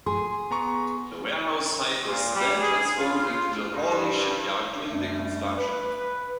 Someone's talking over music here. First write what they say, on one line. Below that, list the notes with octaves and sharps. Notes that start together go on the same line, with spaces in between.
The warehouse site was then transformed into the Hawley Shipyard during the construction.
G#4 C6
B3 A#5 C#6
A#2
G3
G#4
F4
G2
F#2 G3 A3 D4
B4